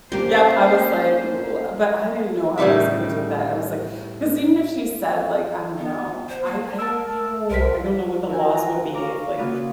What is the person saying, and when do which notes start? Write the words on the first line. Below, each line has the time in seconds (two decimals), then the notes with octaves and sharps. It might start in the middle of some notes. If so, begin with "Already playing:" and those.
Yup, I was like, "Ooh," but I didn't know how I was gonna deal with that, I was like because even if she said, like, I don't know. I I don't know, I don't know what the laws would be if, like
0.12 A#3 C#4 D4 G4 C5
2.58 A2 C#3 G3 D#4 E5
5.78 B3
6.29 C5
6.46 A#3
6.79 A#4 A5 E6
7.50 C2 A#4 C5 B6
8.29 E4 F#4 A#4 G5 G#5
8.55 F4 A#5
8.94 C#5 F5 A#5 D6
9.37 C#3 A#3 F4 F#4 B4